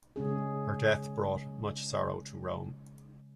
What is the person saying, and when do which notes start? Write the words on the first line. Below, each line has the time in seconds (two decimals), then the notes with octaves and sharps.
Her death brought much sorrow to Rome.
0.16 C#3 G#3 C#4 G#4